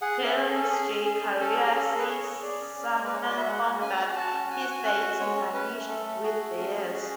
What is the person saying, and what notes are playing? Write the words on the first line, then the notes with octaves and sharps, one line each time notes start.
Clarence J. Karier says, Sumner found that his deity vanished with the years.
G#4 F#5
C#4
E5
G#4
A4
C#4
A4
G#4
C#4
C#4 G#4
C#4
C#4 A4
G#4
C#4 A4
G#4
B4
G#4 C#5
G#4
G#4 D5
C#4
C#4
G#3
B4
G#3 C#5
F#4 D5
E5
G#3 F#5
G#3
C#4 G#5
F#4
F#4 A5
C#4
F#4 G#5
F#5
F#4 G#5
C#4 F#5
F#4
G#3 C#5
C#4
C#4 B4
A3
A3 A4
A3
F#4 G#4
A3
C#4
C#4
F#4